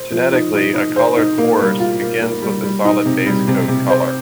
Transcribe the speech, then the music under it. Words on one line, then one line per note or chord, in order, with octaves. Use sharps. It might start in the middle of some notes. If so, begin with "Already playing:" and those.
Genetically, a coloured horse begins with a solid base coat colour.
Already playing: C5
F3
D#4
D#4
D#4
C5
D#4
A#3
G3
F4
A#3
A#3
G3
G3
D#4
C3
G3
C3
C3
C5